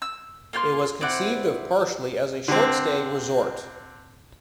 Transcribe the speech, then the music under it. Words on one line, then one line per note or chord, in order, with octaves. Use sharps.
It was conceived of partially as a short-stay resort.
E6
A#3 F4 G5 C6
C4 E4 D5 F#5
D3 C4